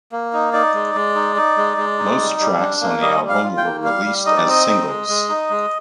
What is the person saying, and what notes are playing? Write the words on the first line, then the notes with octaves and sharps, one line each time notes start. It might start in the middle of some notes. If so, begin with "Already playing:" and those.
Most tracks on the album were released as a singles.
A#3
D#4
D#4 D5
G#3
G#3
D#4
D#4
G#3
G#3
D#4
G3
G3
D4
A#3
G3 D#5
G3
F5
F4
G5
A#3
G3 F5
G3
D#4 D#5
D5
C4 D#5
D#4
G#3
G#3
D#4
G#3